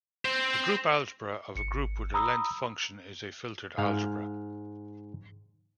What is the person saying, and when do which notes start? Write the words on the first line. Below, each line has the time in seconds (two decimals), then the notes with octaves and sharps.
The group algebra of a group with a length function is a filtered algebra.
0.25 C4 C5
1.55 G#1 C#7
2.14 A#5 B5 D#6 E6
3.78 G#2 F5